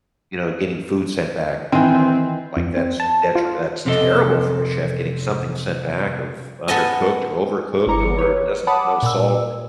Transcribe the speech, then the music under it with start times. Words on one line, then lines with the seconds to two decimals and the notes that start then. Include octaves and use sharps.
you know, getting food sent back, you know, like, that's detriment That's terrible for a chef getting something sent back of undercooked or overcooked or doesn't no salt,
1.72 D#3 E3 C4
2.57 F2
2.77 C4
3.00 A5
3.35 F4
3.85 F2 C3 C4 F4 A4 D#5
6.68 B3 A4 D#5 G#5
7.87 G1 E4 A#5 D6 C#7
8.18 B4 C#5
8.67 C#5 F#5 A5 B5 D6 D#6
9.03 A#2 E6